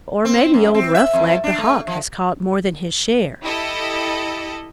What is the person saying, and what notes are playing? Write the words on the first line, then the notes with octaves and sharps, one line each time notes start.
Or maybe old Rough-leg, the Hawk, has caught more than his share.
C4
F#2
C4
E5
F2
D4
A3
F3
E4 G4 A4 D#5